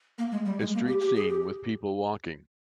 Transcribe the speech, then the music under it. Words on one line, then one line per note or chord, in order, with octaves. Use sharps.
A street scene with people walking.
A#3
G#3
G3
G#3
A#3
G4
G4
G#4
G4